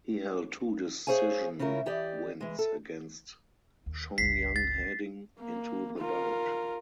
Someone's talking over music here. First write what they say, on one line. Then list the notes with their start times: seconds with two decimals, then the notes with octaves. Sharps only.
He held two decision wins against Chongyang heading into the bout.
1.07 G#4 C5 C#5 F5 G#5
1.59 C#3 C#4 E4 F4 A#4
1.86 E3 G4 D5 D#5
2.41 E3 G#3
2.59 A4
3.86 D#2
4.18 G1 C#2 B6 C7
4.56 A6
5.40 A#3
5.98 F4 A#4